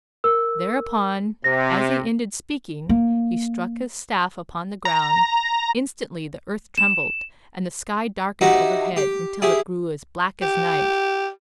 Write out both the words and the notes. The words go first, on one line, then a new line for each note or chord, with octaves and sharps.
Thereupon, as he ended speaking, he struck his staff upon the ground. Instantly the earth trembled, and the sky darkened overhead until it grew as black as night.
A#4 E6
C3 A#6
A#3
A#5
E7
D#4 E4 F#4 G4 A#5
G4
E4 G4 G#4
G4